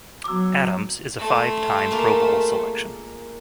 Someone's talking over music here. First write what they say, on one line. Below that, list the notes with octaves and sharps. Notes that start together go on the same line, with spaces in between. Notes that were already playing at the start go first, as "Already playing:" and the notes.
Adams is a five-time Pro Bowl selection.
F#3 B3 D6 E6
A3 C6
G#3 A#3 F4